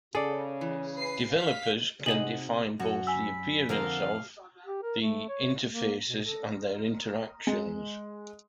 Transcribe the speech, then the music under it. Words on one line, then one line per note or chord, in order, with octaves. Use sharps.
Developers can define both the appearance of the interfaces and their interactions.
C#3 G#4 A4 D5
E3
B4 C7
F5 B6
C3 D#4 F#4 G#4 D#5 F#7
F#2 F#4
G#5 B5 E6
F2 D3 A#4 C5 F5
G4
A#4
A3
C#5
A#3
B2
A4
G#3